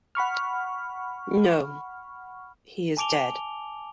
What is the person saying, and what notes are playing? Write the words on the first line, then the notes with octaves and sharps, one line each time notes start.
No; he is dead.
F#5 B5 C#6 F6
G#5 A5 D6 D7 F7 G7